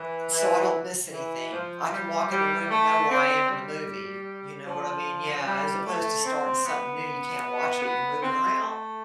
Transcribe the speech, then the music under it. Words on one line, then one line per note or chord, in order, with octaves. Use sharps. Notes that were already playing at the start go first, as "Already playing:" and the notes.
i so I don't miss anything. I can walk in the room and know where I am in the movie, you know what I mean? Yeah, as opposed to starting something new, you can't watch it, you're moving around.
Already playing: E3
E3
E3
F3
G3
G3
A3
C4
G3
F3
G3
A3
C4
B3
B3
C4
A3